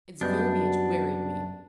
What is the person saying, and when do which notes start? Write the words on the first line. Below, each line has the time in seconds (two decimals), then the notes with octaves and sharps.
Its verbiage wearied me.
0.21 F#2 G3 B3 D4 F#4 D#5 G6